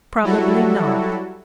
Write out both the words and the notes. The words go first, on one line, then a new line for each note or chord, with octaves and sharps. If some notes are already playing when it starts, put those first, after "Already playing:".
Probably not.
F#3 G3 E4 F#4 A4